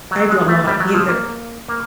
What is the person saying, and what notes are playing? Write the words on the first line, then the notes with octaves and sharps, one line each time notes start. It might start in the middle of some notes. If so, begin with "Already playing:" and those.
I don't know how either.
F#3
G#3
A3
G3
F#3
F3
A#3
A#3